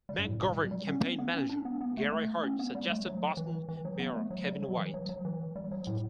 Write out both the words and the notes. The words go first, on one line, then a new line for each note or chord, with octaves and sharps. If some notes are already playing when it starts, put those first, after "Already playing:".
McGovern campaign manager Gary Hart suggested Boston Mayor Kevin White.
G3
G2
A2
B2
G3
F#3
G3
C#4
A3
B3
B3
C#4
D4
B3
B3
A3
A3
C#4
B3
G3
A3
F#3
E3
E3
F#3
B3
A3
F#3
G3
F#3
E3
F#3
F#3
E3
G3
F#3
A2